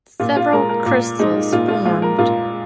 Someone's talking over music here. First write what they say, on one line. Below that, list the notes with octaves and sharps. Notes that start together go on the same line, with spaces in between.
Several crystals formed.
A#2 F4
F4
G#3 A#4
A#4
A#2
G#3 D#4
A#2 F4
F4
G#3 F4
A#4
A#2 F4